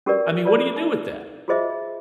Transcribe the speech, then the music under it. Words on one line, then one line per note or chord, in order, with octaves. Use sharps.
I mean, what do you do with that?
C#4 F#4 G4 A#4 B4 D5
F4 B4 D5
D#4
F4 F#4 G#4 C5 D#5 E5